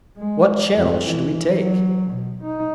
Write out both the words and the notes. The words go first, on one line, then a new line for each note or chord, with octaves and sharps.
What channel should we take?
G#3
F2
E3
F#3
B2
D#4